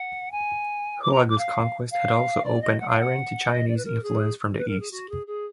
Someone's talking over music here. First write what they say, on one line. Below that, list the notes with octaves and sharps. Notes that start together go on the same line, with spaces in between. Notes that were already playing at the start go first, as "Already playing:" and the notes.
Hulagu's conquests had also opened Iran to Chinese influence from the east.
Already playing: F#5
G#5
D6
A#5
D6
F5
F5
D5
D#5
F#5
F5
F#5
D#5
D5
B4
A#4
G#4
B4
A#4
G#4
F#4
G#4
G#4